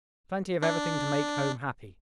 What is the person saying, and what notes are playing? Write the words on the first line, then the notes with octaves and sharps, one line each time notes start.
Plenty of everything to make home happy.
D4